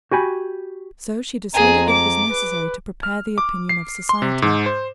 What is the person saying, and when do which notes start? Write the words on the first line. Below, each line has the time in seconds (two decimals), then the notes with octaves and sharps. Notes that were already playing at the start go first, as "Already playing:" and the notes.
So she decided that it was necessary to prepare the opinion of society.
0.11 F#4 G4 G#5 B5
1.54 F2 G#4 A#5
1.90 D6
2.30 B4
3.03 F6
3.38 D6
3.69 C7
4.09 C6
4.22 C3
4.42 G#2
4.66 C5